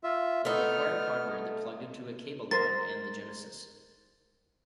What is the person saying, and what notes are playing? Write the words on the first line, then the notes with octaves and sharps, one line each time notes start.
It required hardware that plugged into a cable line and the Genesis.
F4 E5
A3 B3 D#4 F6
A#4 C5 A6